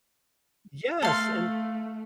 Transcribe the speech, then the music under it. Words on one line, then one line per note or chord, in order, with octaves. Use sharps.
Yes, and
A3 A4 F5 C6